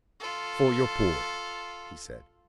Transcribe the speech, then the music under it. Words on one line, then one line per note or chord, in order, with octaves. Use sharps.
"For your poor," he said.
F4 A4